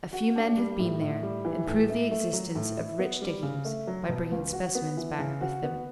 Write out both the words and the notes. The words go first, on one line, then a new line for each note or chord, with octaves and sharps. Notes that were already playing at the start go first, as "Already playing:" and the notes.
A few men have been there and proved the existence of rich diggings by bringing specimens back with them.
F#4
D4
G3
A2
A2
G3
E3
A2
E4
A3
F#3
A2
E4
B3
G3
C#3
A3
F#3
B2
C#2
F#4
B3
E3
C#3
F#4
B3